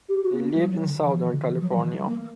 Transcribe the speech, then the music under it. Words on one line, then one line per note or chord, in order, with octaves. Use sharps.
They lived in southern California.
G4
F#4
B3
A#3
G3
F#3
D3
E3
E3
D3
E3
F#3
E3
G3
A#3